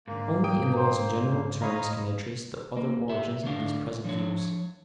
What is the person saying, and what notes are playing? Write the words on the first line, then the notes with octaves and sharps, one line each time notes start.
Only in the most general terms can I trace the other origins of these present views.
G#2 D3 A#3
G5 D#6 D7
C5 A#5
C#5 D#5 F5 A#5 B5 D#6
A#3
G4 E5
D3 A3 D4 F5
F3 D4 C#5